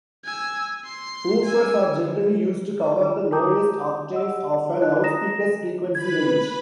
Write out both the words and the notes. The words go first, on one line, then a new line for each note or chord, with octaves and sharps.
Woofers are generally used to cover the lowest octaves of a loudspeaker's frequency range.
G#5 E6
C6
G#5 E6
G5 A5 A#5 D6 D#6 G6
D#5 F#5 E6
C#5 D#5 A5 F#6
A#5 D#6 A#6 E7
B4 B5 G#6